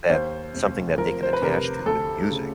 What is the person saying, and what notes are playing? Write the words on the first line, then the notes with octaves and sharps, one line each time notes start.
that something that they can attach to with music,
D#2 C5
F1
F3 A#4
C5
B4
C3 A#4
D2 A4
C#3